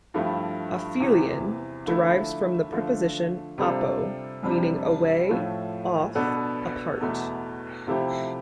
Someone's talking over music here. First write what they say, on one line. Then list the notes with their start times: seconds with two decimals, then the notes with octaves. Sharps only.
"Aphelion" derives from the preposition "apo", meaning "away, off, apart".
0.14 G2 F3 A3 E4 G4
1.00 E2 C3 E3
1.86 D3 F3 A3 E4
2.72 D3 F3 A3
3.58 C3 G3 D4 F4 A4
4.43 F2 C3 G3 D4
5.29 A2 F3 A3
6.15 B2 B3 D4 A4
7.01 E2 B2 A3
7.87 C3 F3 A3 E4 G4